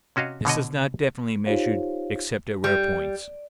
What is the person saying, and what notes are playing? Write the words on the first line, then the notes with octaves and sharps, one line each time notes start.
This is not definitely measured except at rare points.
C3 C#4 F#4 D#5 F5
B2 D3 C#5 D#5
D#4 F4 G4 C5 C#5 F5
G3